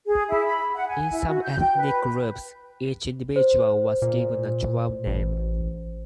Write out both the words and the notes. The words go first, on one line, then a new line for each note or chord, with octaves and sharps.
In some ethnic groups, each individual was given a "drum name".
G#4
E4
B5
F#5
G#5
E4
F#4
G6
G5
B4
C5
A#2
A1